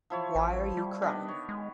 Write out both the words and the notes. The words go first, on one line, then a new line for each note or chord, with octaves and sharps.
Why are you crying?
F3 E4 C#5
A1
G3
D#3 B3 D4
C#5
G#3